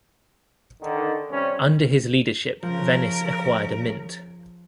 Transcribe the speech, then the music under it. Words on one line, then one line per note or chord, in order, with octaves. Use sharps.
Under his leadership, Venice acquired a mint.
D3 D#3
C3 G3 C#4
C#3 F3 A#4